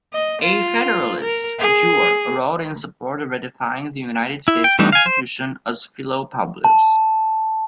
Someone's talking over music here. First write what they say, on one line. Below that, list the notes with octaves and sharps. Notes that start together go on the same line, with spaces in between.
A Federalist, Duer wrote in support of ratifying the United States Constitution as Philo-Publius.
D#5
F4
A#4
G#4
E4
G5
E3 G3 A3 D4 D#4
F5 G#5
C5
A5